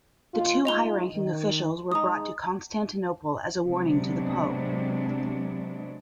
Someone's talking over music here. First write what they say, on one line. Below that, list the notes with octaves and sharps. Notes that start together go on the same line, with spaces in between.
The two high-ranking officials were brought to Constantinople as a warning to the pope.
D#2 F4
G#3 D#4 F4 D#5 F7 G7
D#3
G#3 D#4 A#5 D#6
C3 F#3 G#3 B3 D4